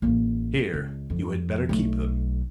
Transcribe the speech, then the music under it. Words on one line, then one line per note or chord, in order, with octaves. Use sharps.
'Here, you had better keep them!
A1 A#3
C#2
F2
B1 A3